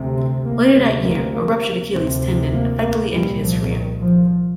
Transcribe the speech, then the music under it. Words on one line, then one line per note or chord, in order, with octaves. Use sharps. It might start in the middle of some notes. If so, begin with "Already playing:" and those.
Later that year, a ruptured Achilles tendon effectively ended his career.
Already playing: D2 C3
C4
A#3
D2 C3 G#3
A#3
A#3
D2 C3 C4
A#3
A#3
C2 A#2 G3
F3
D#3
F3